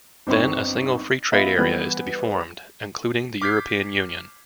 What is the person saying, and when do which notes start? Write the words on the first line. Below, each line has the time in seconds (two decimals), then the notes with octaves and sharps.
Then a single free trade area is to be formed, including the European Union.
0.27 G1 C4 D#4 C#6
1.32 B3 F4 D#5 E5 B5
1.57 E3 G3 B3
3.42 D6 F6 G6 G#6 B6 C7